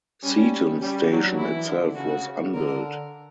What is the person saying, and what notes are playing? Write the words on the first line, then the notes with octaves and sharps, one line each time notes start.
Seaton station itself was unbuilt.
G3 C#4
G3 C#4
F#3 D4
E3 E4
D3
C#3 F#4
D3 A#4